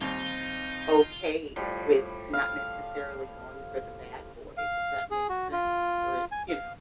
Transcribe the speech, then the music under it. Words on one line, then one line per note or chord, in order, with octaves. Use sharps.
okay with not necessarily going for the bad boy, if that makes sense, or you know?
D#2 G3 C4 D#4 F4 F5
A2 F3 G3
F5
F5
G#4
F#4
F4
G#5
F5